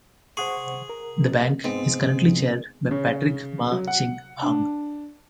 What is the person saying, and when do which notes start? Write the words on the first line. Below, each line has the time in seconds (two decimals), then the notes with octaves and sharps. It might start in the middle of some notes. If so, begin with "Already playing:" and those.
The bank is currently chaired by Patrick Ma Ching Hang.
0.37 G#4 C5 F#5 C#6
0.89 A#4
1.64 G#2 B3 C4
2.91 C#3
3.72 F#3
3.87 F#5
4.42 D4